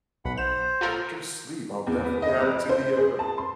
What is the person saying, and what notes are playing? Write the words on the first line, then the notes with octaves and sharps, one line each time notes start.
Doctor Sleep, I'll definitely add it to the, uh, the
B1 F#5 B5
C5 E7
F4 A4 A#4
E2
B3
D#5
F2
C5
G#4
A5
C6